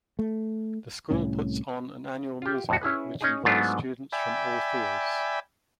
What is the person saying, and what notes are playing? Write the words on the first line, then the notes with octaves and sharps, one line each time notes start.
The school puts on an annual musical which involves students from all fields.
A3
C2 A2 C#4
F4 G4
F2 A2 F#4
C#4 E4 G#4 B4
C#4 D#4 G#4
G#2 F#3 A3 B3 D4 F4
D5 E5 G5 G#5 B5